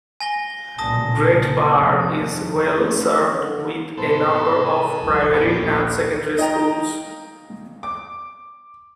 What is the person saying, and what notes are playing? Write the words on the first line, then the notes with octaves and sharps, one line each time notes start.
Great Barr is well served with a number of primary and secondary schools.
G#5 A#6 G7
B1 A#2 C#3 A5 D#6 A#6
F1 F2 C3
F2
A1
D3
G#2 C3 B3 A4 C5
G#4 A4
F1 C2
A#1 D#2 B3 C#4 G4
D#4 D#5 G5 A#5
D6